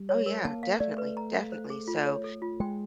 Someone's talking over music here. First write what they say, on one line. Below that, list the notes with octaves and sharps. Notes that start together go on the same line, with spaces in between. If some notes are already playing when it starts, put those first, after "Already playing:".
Oh, yeah, definitely, definitely, so,
Already playing: G3
C#5
A#4
A#3 A5
F5
A3 D5
B4
A#5
F5
C5
G#4
F4
C#5
A4
F4
G#3 G5